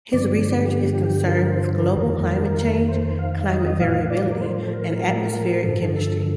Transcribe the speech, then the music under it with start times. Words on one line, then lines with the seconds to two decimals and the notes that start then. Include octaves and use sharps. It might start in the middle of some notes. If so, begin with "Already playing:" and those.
His research is concerned with global climate change, climate variability, and atmospheric chemistry.
0.12 G2 D3 F3 D5
0.58 G4
1.04 G4
1.27 A#4
1.50 C5
1.73 A#4
1.96 F2 D#3 A#4
2.88 C5
3.19 F5
3.41 F5
3.49 D#5
3.80 A2 F3 F5
4.10 D5
4.30 A#4
4.41 C5
4.63 A4
4.72 A#4
5.53 A#4
5.64 G2 D3 F3 A4
5.94 A4